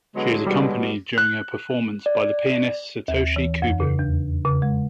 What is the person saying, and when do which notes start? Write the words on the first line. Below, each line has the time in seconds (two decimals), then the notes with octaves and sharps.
She is accompanied during her performance by the pianist Satoshi Kubo.
0.16 D3 F#3 G#3 B3
0.46 B2 G3
1.18 F#6
2.06 D5
3.08 D#2
3.36 E3
3.62 F2
3.80 C#3
3.99 E2
4.45 C#3
4.62 G#3